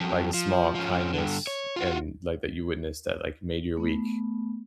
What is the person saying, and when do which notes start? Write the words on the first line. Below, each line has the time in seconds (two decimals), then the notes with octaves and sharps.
like, a small kindness and, like that you witnessed that, like, made your week.
0.01 F2 F#3
0.34 F3
0.75 F3 C#4
1.14 G2 D3
1.47 C#5
1.76 F4 F#4
3.77 A3 B3